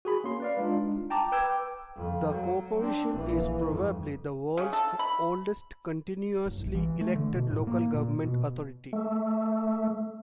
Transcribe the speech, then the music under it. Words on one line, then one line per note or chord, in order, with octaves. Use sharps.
The Corporation is probably the world's oldest continuously-elected local government authority.
F#4 G#4 B5
A#3 C#4 C6
B4 D5 F5
G#3 D4 D#4 F4
G5 A5 A#5 D6
B4 G5 D6 E6 G#6
F2
F#3
C4 D4
A#1 E3
G1 F2
C#3
A4
B5
F#1
A#1
E3
A3
D3
B2
A2
A#3
A#2
B2
A3